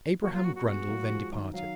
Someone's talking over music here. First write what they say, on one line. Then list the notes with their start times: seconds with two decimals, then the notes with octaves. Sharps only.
Abraham Grundle then departed.
0.22 F#3 A#3 F#4
0.34 F4
0.44 F#4
0.55 F#4
0.66 G#3 B3 F#4
0.88 F#3 A#3
1.10 F3 G#3
1.32 D#3 F#3
1.54 D#3 F#3 F5